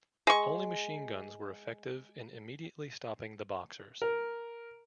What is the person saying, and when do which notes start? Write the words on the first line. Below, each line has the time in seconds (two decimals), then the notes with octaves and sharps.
Only machine guns were effective in immediately stopping the Boxers.
0.27 G#3 C#6
4.02 A#4